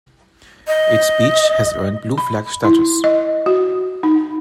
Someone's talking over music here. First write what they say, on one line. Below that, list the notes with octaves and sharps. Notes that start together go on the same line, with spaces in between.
Its beach has earned Blue flag status.
D#5
B5
E4
D#5
F#4
D#4